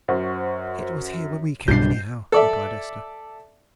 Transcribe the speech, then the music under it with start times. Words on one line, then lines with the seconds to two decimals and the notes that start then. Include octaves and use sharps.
"It was here when we came, anyhow," replied Esther.
0.08 F#2 C5 F#5 C#6
1.68 B1 G2 B2 D4 G6 C7
2.32 A4 D5 E5